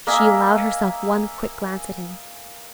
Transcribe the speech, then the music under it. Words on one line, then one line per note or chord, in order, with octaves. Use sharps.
She allowed herself one quick glance at him.
A#3 D#5 E5 G#5